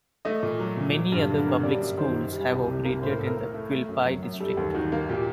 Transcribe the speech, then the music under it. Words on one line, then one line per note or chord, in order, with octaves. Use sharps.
Many other public schools have operated in the Quilpie district.
A3 D#5
A#2
F#3
A#2
F#3
G2
D3
A#3
G3 D5
F#2
D#3 C5
F#2
G3
C2
C3
A#3
A2 C5
A#4
A2 A4
A#4
A3
A3
A3
F#2
F#3
F#2
G3 A4
D#2
D#3 F#4
A#3
A#2 G4